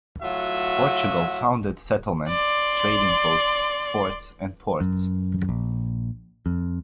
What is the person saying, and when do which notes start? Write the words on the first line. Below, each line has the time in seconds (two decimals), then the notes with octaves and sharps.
Portugal founded settlements, trading posts, forts and ports.
0.22 A2 F#3 F4 F#4 E5
2.29 D5 C6
4.81 F#2
5.49 A#1
6.46 F2